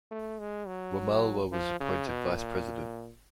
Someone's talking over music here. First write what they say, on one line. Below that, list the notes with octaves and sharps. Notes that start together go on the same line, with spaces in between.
Wamalwa was appointed vice-president.
A3
G#3
F#3
F3
C#3
B2
A#2